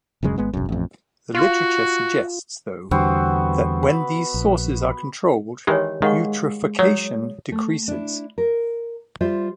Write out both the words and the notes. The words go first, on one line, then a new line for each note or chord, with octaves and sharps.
The literature suggests, though, that when these sources are controlled, eutrophication decreases.
D1 F#2 C#3 G#3
G#1 G#3 B3
E1 B1 F#2
A1 F2
F4 F#4
E2 D3 G3 B3 C4 F#4
B4
A#1
D#3 E3 G#3 G4 C#5
D#3 G#3 F5 F#5 C#6
F#3 C#5 D#6
A3
D4 E4
A#4
G3 F4 C5 E5